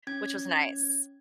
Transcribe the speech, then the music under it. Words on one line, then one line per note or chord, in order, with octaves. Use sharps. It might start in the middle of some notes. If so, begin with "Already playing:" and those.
which was nice.
C#4 G#6